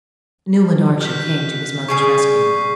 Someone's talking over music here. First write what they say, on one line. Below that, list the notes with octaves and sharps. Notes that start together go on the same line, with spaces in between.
Newland Archer came to his mother's rescue.
F#4 F6 G6 B6
C#3 G3 G#4 C#6 C7